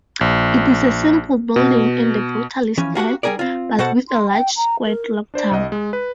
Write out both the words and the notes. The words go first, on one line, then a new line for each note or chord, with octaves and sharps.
It is a simple building in the brutalist style, with a large square clocktower.
A#1
B2
E3 F3 C#4
A#3 F#4 G4 F#5
G3 D#4 G#4 A#4 D5
C4 F4
B2 F#4 A4 C5 F#5 A5
C6
G5
A#5
A#4
D4 C5 D5
C2 D#5
G#3
B4